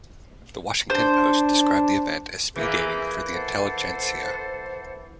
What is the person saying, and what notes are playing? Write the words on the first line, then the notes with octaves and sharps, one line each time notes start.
The Washington Post described the event as speed dating for the intelligentsia.
D4 C5
E3 A#3 G#4 E5 G6
A4 C5 F#5